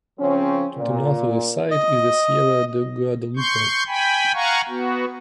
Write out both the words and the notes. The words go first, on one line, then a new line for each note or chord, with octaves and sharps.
To the north of the site is the Sierra de Guadalupe.
C#3 F3 C4 C#4
A#2
D#5
C6 C#6 G6
G5 G#5 B5
F5 F#5 G#5 A#5 C#6
B3 F#4